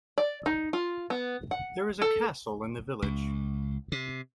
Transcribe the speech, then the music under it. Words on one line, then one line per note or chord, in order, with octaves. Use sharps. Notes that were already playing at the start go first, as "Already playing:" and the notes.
There is a castle in the village.
D5
D#4
F4
B3
F#5
A4
C#2
C3